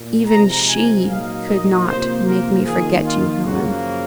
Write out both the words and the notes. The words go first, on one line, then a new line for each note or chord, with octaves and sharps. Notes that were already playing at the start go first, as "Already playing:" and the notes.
Even SHE could not make me forget you, Helen.
Already playing: A#2
C3 F3 G#3 A#5
G#5
A#2 F#3 A#3 D#4 F5
D#5
C3 F3 A#3 F4 C5
A#4
D#3 A#3 F4 G#4
F4
F#2 C#3 F3 A#3 F#4